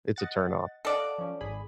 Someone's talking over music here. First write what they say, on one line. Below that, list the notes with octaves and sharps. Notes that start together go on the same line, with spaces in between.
it's a turnoff.
D#5 F#5 A6
A4 D5 D#5 F5 F#5
F3 C#4
G#1 G#4 B5